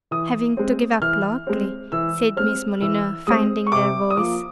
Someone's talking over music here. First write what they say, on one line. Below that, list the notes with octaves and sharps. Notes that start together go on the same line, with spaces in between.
"Having to give up Lockleigh?" said Miss Molyneux, finding her voice.
E3 D#6
G#3 C4
E3 F6
G#3 C4
E3 E6
G#3 C4 F6
E3 E6
G#3 C4 D#6
C#6
C3 D6
D#6
F3 A#3 D6